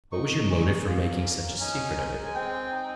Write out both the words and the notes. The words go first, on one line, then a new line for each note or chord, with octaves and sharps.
What was your motive for making such a secret of it?
D#4 C#6
G#3
A#3 A#5
C#4
D#4 G#5
G#3
G#5
C4 G5
D#4